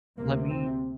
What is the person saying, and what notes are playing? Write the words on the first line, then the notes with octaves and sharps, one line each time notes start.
Let me"
D2 C3 A#3
C4